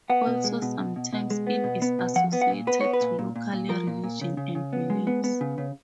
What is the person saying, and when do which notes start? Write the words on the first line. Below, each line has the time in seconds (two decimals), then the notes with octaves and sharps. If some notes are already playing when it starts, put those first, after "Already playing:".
Also, sometimes it is associated to local religion and beliefs.
0.10 B3 F#5
0.27 B2
0.44 G#3
0.62 B2
0.79 B2
0.96 B2
1.13 B2
1.30 G#3
1.47 B3
1.64 B2
1.82 B3
1.99 B2
2.16 F3 F#5
2.33 B3
2.42 F#5
2.50 A#2
2.67 B3 B4
2.81 B3 C#5
2.93 B4
3.01 A#2
3.19 A#2
3.36 A#2
3.53 A#2
3.69 F3 A#4
3.87 A#2
4.04 A#2
4.21 C#3
4.37 C#3
4.55 C#3
4.73 B3
4.90 G#3
5.07 B3
5.24 B3
5.41 C#3
5.58 C#3